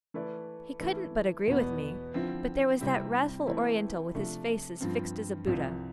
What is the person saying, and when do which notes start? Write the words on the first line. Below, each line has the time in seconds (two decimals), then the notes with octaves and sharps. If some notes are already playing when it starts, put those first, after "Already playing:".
He couldn't but agree with me, but there was that wrathful Oriental with his face as fixed as a Buddha.
0.14 E3 A3 E4 B4 D5
0.80 E3 A3 E4
1.48 E2 B2 B3
2.14 D3 F3 C4 E4
2.81 C3 G3 C4 E4
3.47 E3 A3 C4 E4
4.14 C3 F3 A3 D4
4.81 G2 F3 C4
5.47 C2 C3 F3